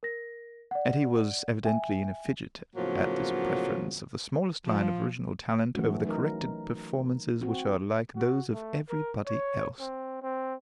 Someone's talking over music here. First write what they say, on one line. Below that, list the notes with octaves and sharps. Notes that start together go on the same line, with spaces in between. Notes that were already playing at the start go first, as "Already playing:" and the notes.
Etty was evidently in a fidget at this preference of the smallest line of original talent over the corrected performances which are like those of every body else.
A#4 A#6
D5 F#5
E5 G5 G#5
A2 C#3 F3 F#3 A#3 B3
F3
E3 F#3 A3 C#4 F#4
F#3 D#4 A#4
C4 F#4
F#4
A3
A#4
C#5
C4
C4